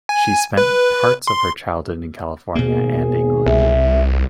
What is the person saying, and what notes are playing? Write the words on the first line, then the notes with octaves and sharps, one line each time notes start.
She spent parts of her childhood in California and England.
G#5
B4
C6
G#1 B2 A#3 G#4
C2 E5